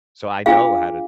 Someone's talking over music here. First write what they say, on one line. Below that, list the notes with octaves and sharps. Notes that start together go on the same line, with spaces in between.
So, I know how to
D4 F4 G#4 F5